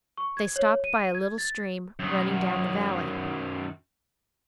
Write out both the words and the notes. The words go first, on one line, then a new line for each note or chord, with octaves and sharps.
They stopped by a little stream, running down the valley.
C#6
G#6
C#5
D#7
G#6
A6
F#2 D#3